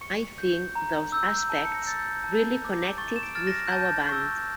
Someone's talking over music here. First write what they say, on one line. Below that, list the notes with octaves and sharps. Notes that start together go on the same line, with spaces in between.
I think those aspects really connected with our band.
C#6 C#7
G6
A#5
E6 G6
A5
C#7
A#6
E6 G6 A6
G6
A5 G6
D6 G6
C#6 A6
E7
D7
F6 A6
A#6
G6
A5 A6
A6
C#6 E6
A6